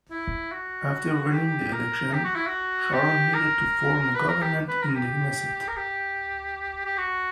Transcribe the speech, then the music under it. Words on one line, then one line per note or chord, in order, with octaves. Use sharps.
After winning the election, Sharon needed to form a government in the Knesset.
E4
F#4
G4
A#4
G4
F#4
E4
F#4
G4
A#4
B4
A#4
G4
B4
A#4
G4
A#4
G4
G4
F#4